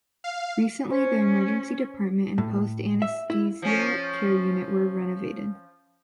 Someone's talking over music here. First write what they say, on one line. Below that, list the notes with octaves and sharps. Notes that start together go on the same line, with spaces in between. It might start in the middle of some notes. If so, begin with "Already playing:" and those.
Recently the Emergency Department and Post Anesthesia Care Unit were renovated.
F5
C#4 C5
A2
E5
E4
F3 C#4